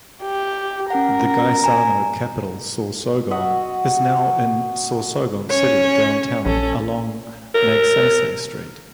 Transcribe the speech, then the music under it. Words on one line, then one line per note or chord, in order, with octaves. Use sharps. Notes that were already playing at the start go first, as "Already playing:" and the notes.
The Gaisano Capital Sorsogon is now open in Sorsogon City downtown along Magsaysay Street.
G4
C#4 A#4 F#5
G#5 A#5
F#4 D#5 E5 F#5
C#4 C#5
A#1 C#4 A4
A#4